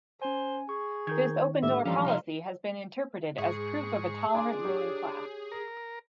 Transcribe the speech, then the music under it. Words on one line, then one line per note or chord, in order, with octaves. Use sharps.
This open-door policy has been interpreted as proof of a tolerant ruling class.
C#4 C5 G#5
G#4 C#6
D#3 A#4 G6 G#6
A2 D4 G4 A4 E5
G#2 E3 F3 G3 C#4 F5 A#5 C6
C3 D#4 D#5 A#5 F6
G#2 G#4 C#6
D4 G#5 C6 D6
G4 C#5
A#4